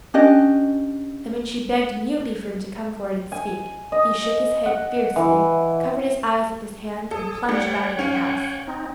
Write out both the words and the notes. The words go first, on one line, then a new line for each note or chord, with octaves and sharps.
And when she begged mutely for him to come forward and speak, he shook his head fiercely, covered his eyes with his hand, and plunged back into the house.
C#4 D4 G4 D#5
G#5
D#5
F#5
E3
G#4 A4
G3 A3 C#5 F#5 G5
C#4 F5
C4 D#4